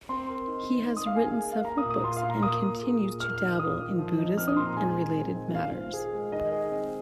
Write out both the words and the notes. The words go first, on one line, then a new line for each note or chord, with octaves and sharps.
He has written several books and continues to "dabble in Buddhism and related matters".
C4 C6
A#4
D#4
D#3
D#4
D#6
A#3 F5
G#5
G#4
A#3
F5
A#3 A#5
D#6
A#2
D#6
F4 C6
F5
A#2
A#5
A#3 D#6
A#2
G#4
A#2
A#3 F6
D#3
F4 D#6
D#3
F3
D#4
C4 F6
D#6
A#2 C6
A#5
G#3 G#5
G#4
C4
D#3
F4 F5
C5
G#4
G#3
D#3 D#5
G#4
C4